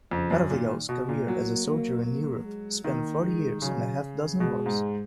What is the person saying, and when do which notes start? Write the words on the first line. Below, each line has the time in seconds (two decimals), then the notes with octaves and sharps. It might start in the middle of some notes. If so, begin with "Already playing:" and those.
Carvajal's career as a soldier in Europe spanned forty years and a half-dozen wars.
0.11 F2 C#3
0.31 F#2
0.50 A#2 D#3
0.89 B2
1.09 A#2
1.28 F#3 A#3
1.67 A#3
2.06 A#3
2.45 G#3
2.84 D#3 A#3
3.23 G#3
3.62 C#3 F#3
4.40 B2 G#3
4.66 G#2